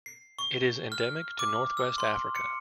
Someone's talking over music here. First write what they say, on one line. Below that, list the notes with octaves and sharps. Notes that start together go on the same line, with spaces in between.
It is endemic to Northwest Africa.
C7
C#6
F6
D6
E6
C6
C#7